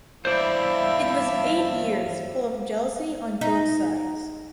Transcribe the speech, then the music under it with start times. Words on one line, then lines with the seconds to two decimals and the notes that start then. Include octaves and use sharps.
It was eight years full of jealousy on both sides.
0.25 E2 G2 E4 C5 D5 E5 F5
3.41 D#4